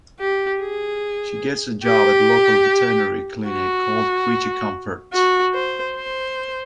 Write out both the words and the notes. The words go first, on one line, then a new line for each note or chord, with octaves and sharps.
She gets a job at a local veterinary clinic called Creature Comforts.
G4
G#4
G4
F#4
F#4
C5
C5